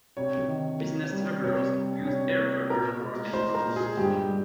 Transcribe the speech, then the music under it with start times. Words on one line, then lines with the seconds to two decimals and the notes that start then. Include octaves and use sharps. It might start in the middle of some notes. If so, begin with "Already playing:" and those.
Business travellers used air travel more and more.
0.17 C3 C#5
0.48 D#3
0.80 A#3
1.12 G3
1.44 C3 C#5
1.75 G3
2.07 C3 C#5
2.28 C#5
2.39 A#3
2.70 A#2 A#4
3.02 G#3
3.33 G#3 C5
3.55 A#4
3.66 A#2
3.76 G#4
3.97 G2 G4
4.28 G3